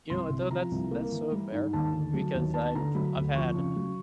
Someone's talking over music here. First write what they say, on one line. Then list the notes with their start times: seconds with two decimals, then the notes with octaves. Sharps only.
You know what, though? That's that's sorta fair because I've I've had
0.10 C2 C6
0.30 C3
0.51 F3 A#5
0.72 C2
0.91 A#3
1.12 E3
1.32 G3
1.52 G#2
1.73 D#2 A5
1.94 D3
2.14 F#3
2.34 D#2
2.54 B3 A5
2.75 D3 A#5
2.95 F#3 B5
3.16 D2
3.35 F2 C#6
3.55 C#3
3.76 F#3